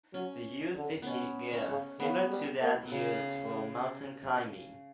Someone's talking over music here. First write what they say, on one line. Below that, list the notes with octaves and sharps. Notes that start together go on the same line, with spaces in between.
They use safety gear similar to that used for mountain climbing.
F#3 C#4
D3
B2 B3 C#4
C#4
C#3
C#3 B3
G3
A#3
C#3